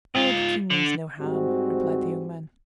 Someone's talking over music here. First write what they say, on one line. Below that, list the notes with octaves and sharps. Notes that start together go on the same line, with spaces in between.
"Oh! the king means no harm," replied the young man.
G#2 F4
D3
G#2 G3 C4 F#4